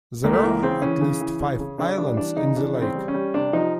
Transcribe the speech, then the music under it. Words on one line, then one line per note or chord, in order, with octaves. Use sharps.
There are at least five islands in the lake.
C#2 A#3
A3
E3 A#3
C#3 C4
E3 C#4
C#3
E3
C#3
C#3
C#3 D4
G3 D4
E3 D4
C#3 D#4
E3 D4
C#3
C4
G3
C#4
G3
C3 D4
F3 D#4